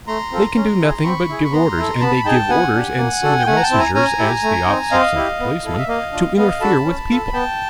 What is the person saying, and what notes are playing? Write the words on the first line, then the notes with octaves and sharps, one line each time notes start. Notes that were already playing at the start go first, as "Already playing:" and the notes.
They can do nothing but give orders, and they give orders and send their messengers, as the officer sent the policeman, to interfere with people.
A3 A#5 C6
C4 F4 A4
C#4
E4 G#4
C4 B5 C#6
E4 G#4
C#6
B3 A#5 C6
E4 A4
B3 A5 B5
D#4 G#4 G5 A5
B3 F#5 G#5
D4 G4
A#3
D4 F#4 A4
G5
A3 F#5 G#5
A#5
G5 A5
C4 E4
G#5 A#5
C#4 G#5 A#5
E4 G4
A3
C4 D#4
C4 D#5 F5
E4 G4
B3
E4 A4
E5
A#3 D#5 F5
D4 F4
B3 D#5 F5
D4 F#4 A4 A5 B5
C#4
F4 A4
B3 G5 A5